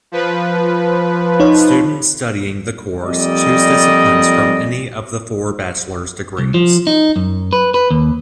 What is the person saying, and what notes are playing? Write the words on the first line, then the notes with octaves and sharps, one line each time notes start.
Students studying the course choose disciplines from any of the four bachelor's degrees.
F3 B4
D#4 C#5
F2 A#2 G3 D5 D#5
C2
F3
D#4
F#2
B4
B4
D#2